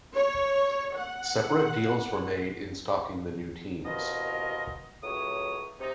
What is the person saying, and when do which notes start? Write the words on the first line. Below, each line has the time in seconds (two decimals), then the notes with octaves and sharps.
Separate deals were made in stocking the new teams.
0.16 C#5
0.96 F#5
3.85 C2 B2 D#3 F4 A#4 D#5
5.03 C#2 A2 F#3 C#5 D#6
5.80 C3 D#4